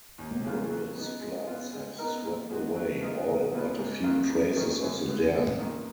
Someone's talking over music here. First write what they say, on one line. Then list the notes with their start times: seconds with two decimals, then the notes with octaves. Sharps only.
Numerous floods have swept away all but a few traces of the dam.
0.18 D#2
0.45 C#3 F#3 A#3 F4
0.69 F#3
0.95 B3 D#4
1.21 G#3
1.47 B3 F4
1.73 G#3
1.98 B3 D#4 A#4
2.24 A#2
2.49 F3 G#3 B3 F#4
2.75 F#3
3.01 A#3 F4 G#4 D#5
3.28 C#2
3.53 B2 A#3 F4 B4
3.79 G#2
4.04 D#3 F#3 A#3 F4
4.30 F2
4.56 D#3 A#3 C#4
4.82 F#2
5.08 C#3 F3 B3
5.33 F#2
5.58 D#3 A#3